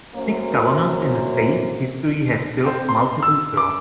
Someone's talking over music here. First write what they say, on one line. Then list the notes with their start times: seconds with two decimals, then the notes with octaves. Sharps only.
Six governors in the state's history have served multiple terms.
0.15 F#2 F#3 A#3 A#4 C5
2.66 C4
2.89 C6
3.23 E6
3.57 D6